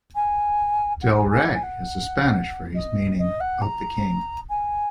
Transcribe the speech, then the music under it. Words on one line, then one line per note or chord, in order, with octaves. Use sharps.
Del Rey is a Spanish phrase meaning "of the king".
G#5
F#5
G#5
G#5
F#5
G#5
F#5
D#5
D#5
F#5
A#5
G#5